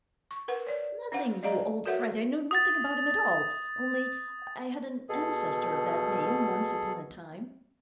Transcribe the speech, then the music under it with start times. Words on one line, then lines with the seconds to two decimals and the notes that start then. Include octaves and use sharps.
"Nothing, you old fright!--I know nothing about him at all; only I had an ancestor of that name, once upon a time."
0.31 C#6
0.48 A#4 B4 F#5
0.67 C#5 D5
1.12 C#4 D4 C5 F5 F#5
1.43 D5 D#5 F5 A#5
1.86 F#4 A4 A#4 C#5 E5 F#5
2.51 D#6 A6
5.09 B2 G#4 A4